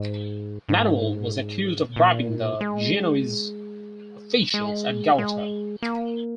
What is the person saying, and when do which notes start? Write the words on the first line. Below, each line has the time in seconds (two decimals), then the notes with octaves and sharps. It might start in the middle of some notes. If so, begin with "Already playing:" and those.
Manuel was accused of bribing the Genoese officials at Galata.
Already playing: G#2
0.69 G#2
1.96 A#2
2.61 G#3
4.54 G#3
5.18 G#3
5.82 A#3